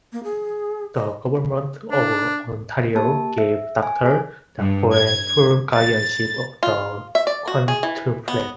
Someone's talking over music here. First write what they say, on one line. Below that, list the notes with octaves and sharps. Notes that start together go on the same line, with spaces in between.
The government of Ontario gave Doctor Dafoe full guardianship of the quintuplets.
A#3
G#4
D#5
D4
A#3 G4 A5
E5
G#5
G#4 G#5
G2
G#6
A6
F4
E5
D5
F#4
G#4
E3
B3